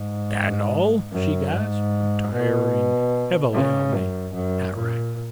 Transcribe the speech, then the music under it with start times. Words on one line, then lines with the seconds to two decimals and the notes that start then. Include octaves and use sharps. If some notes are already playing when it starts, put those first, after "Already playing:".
"Dan'el!" she gasped, retiring heavily on the hat-rack.
Already playing: G#2
1.13 F#2
1.52 G#2
2.34 B2
3.54 C#3
3.95 F#2
4.34 F#2
4.75 A#2